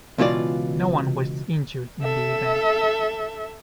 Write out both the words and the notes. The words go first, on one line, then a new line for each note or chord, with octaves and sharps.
No one was injured in the event.
C#2 B2 E3 F4 D5
A4 E5